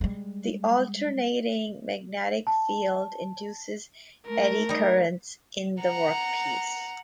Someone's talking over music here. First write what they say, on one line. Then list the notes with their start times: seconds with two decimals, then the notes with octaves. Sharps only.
The alternating magnetic field induces eddy currents in the workpiece.
0.01 G3 G#3
2.47 A5
4.28 A3 A#4
4.69 G3 D#4
5.81 F#5 A#5